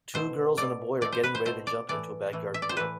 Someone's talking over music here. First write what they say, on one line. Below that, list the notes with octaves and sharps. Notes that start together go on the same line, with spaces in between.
Two girls and a boy are getting ready to jump into a backyard pool.
B2 A3 C5
B2 A3 D5
B2 A3 D5
C5
B4
C5
B2 A3 C5
D5
A2 E3 A3 D5
A2 E3 A3
E5
D5
C5
A2 E3 A3 B4